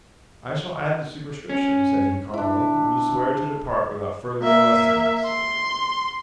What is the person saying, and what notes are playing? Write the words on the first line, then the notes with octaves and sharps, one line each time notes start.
"I shall add the superscription," said he calmly, "when you swear to depart without further molesting us."
C#4
D4 E4
A#3 E5
C6